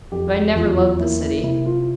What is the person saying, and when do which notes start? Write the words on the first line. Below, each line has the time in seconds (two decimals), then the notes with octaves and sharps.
But I never loved the city.
0.12 F2 G4
0.34 G4
0.55 E2 F4
0.78 F4
1.00 A#3 E4
1.22 E4
1.43 C3 E4
1.66 F4